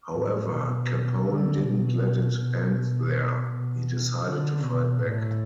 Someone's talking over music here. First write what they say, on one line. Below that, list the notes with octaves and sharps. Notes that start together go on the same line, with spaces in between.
However, Capone didn't let it end there; he decided to fight back.
A2
B2
D3
B2
B2
B2
D3
B2
A2